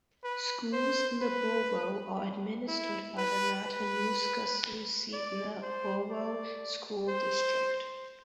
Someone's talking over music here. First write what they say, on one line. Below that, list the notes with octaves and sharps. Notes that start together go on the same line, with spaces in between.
Schools in the borough are administered by the Matanuska-Susitna Borough School District.
B4
C5
B4
E4
B4
B4
D5
C5
D5
C5